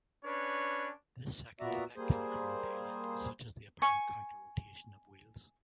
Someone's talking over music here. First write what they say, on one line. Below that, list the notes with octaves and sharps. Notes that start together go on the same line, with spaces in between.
This second effect can occur in daylight, such as the apparent counter-rotation of wheels.
C#4 D4 B4 C#5
A#2 B3 F#4 D5 E5 A#5
G3 A#3 G#4 C5
G#5 C#6